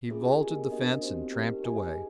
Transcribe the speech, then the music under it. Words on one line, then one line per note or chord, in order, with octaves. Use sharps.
He vaulted the fence and tramped away.
A#3 C#4 F4 G#4
G4 A#4 D#5 G#5
B3 D4 F#4 A#4 D#5
C4 D#4 G4 C5
A#3 D#4 G4 A#4
G4 B4 D#5 G#5
D#4 G#4